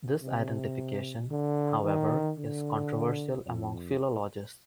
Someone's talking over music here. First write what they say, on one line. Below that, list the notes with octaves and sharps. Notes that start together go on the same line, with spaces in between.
This identification, however, is controversial among philologists.
C3
D3
D#3
D3
F2